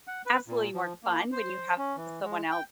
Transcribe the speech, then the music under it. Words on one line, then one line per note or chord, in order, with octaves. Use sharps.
absolutely more fun when you have someone else
F#5
B4
A#2
F3
A#3
C5
C#4
E3
G#3
G5